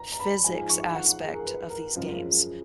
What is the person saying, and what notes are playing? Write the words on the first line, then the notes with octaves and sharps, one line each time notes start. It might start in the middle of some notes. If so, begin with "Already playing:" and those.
physics aspect of these games.
Already playing: A#5
A#5
B5
G#2 F3 G#3 G#5
C#6
F5
F#5
G#4
A#4
B4
A#4
F#2 C#3 F3 G#3